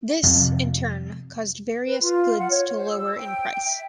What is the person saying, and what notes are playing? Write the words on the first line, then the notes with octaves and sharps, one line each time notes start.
This, in turn, caused various goods to lower in price.
F2 C3
B4
F4
F#5
C#5
C5
E6
G5
E5